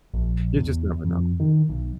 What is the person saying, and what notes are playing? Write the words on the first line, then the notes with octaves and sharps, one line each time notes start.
you just never know.
A#1
E2
F2
D#3
B1